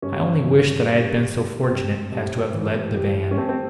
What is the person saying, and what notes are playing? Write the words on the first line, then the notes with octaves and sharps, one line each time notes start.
I only wished that I had been so fortunate as to have led the van.
G2 C#4
G2
G3
G3
G2 C4
G2
E3
G3
C#4
A3 C4
C4